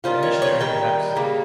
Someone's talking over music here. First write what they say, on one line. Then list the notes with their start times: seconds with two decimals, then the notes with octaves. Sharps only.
"A missionary, perhaps."
0.04 D#3 G3 C#4 F4 C5
0.23 C#5
0.42 C#5
0.60 D#3 G3 G5
1.16 C#3 G3 A#3